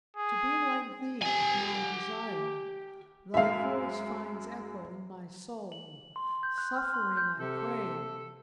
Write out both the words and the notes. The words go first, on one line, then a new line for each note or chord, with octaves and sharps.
To be like Thee is my desire; Thy Voice finds echo in my soul. Suffering I crave!
G#4
G4 G#5
F#2 G#3 E5 F5
F#7
C6
G6
F#6
F6
C6
G6
C3 A4